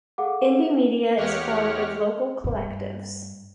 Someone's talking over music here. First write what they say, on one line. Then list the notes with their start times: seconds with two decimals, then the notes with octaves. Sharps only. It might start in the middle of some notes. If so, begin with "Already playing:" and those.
Indymedia is formed of local collectives.
0.18 G#4 A4 F5 F#5 D6
1.16 E2 G#3 G4 C#5 F#5 F6
2.44 G2 A3